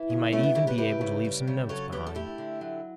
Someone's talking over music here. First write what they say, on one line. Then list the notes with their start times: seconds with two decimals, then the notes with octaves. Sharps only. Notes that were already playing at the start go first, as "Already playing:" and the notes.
He might even be able to leave some notes behind.
Already playing: E3
0.10 C#3
0.32 G3 A3 C#4
0.43 B3
0.55 C#3 E4 G4
0.67 G4 B4
0.78 E3 G4 B4
1.01 C#3
1.25 G3
1.47 C#3
1.69 F#3 A4 C#5
1.92 D3 G4 B4
2.07 A4
2.15 A3 E4 G4
2.38 D3
2.61 F#3